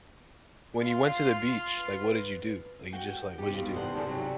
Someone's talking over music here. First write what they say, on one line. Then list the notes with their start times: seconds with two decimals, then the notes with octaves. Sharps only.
when you went to the beach, like, what did you do? Like, you just, like what'd you do?
0.81 F4 F5 C6
1.78 B4
2.93 F#4 G5
3.38 C3 D#4 G4
3.53 D#2 B2 F4
3.76 C3 E3 D4 C5 F#5
3.94 D3 D4 D#4 G#4
4.07 C3 F#3